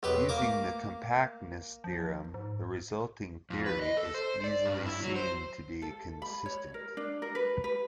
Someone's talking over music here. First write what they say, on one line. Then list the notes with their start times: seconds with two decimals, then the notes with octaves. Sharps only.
Using the compactness theorem, the resulting theory is easily seen to be consistent.
0.03 B1 E2 G4 B4
0.29 A#3 D6
0.42 A3
1.84 F3
2.34 G#2
3.50 F2
3.66 B4
3.82 D#5
3.97 A4
4.14 C5
4.44 D5
4.66 G2
4.86 E4
5.03 F#3
5.16 C5
5.82 A4
6.22 B5
6.46 C#5
6.74 A#4
6.97 D4
7.22 A#4
7.35 B4
7.64 B4